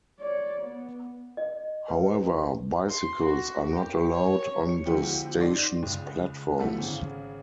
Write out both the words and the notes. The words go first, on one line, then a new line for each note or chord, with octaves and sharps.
However, bicycles are not allowed on the station's platforms.
C#5 D5
B3
D#5
B4
C6
F#4
G4
C#5
C#7
B2 D3 F3 G#3 E4 G4
D#4 D5 C6 C7
C#2
D3 F3 F#3 A3 B3 E4
G#1 C#3